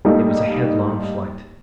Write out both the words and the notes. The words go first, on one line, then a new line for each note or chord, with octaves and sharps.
It was a headlong flight.
G3 A3 A#3 D#4